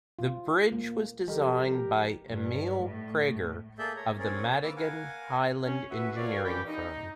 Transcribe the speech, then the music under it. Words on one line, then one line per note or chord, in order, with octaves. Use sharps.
The bridge was designed by Emil Praeger of the Madigan-Hyland engineering firm.
F4
A#3
F3 G3 G4 A4 A#4 D#5
G2
A2
A#3 G#4 A4 D5 E5 G6
C#5 A#5
C4 C#4 G#4 A#4 C#5 D5
A#3 B4 D6 E6
A#4 F5 F#5 G#5
C#4
B3 F#4 B4 E5
F4 F#4 A#4 C#5 D5
A#2 E3 C#4 G4 G5 B5
D#4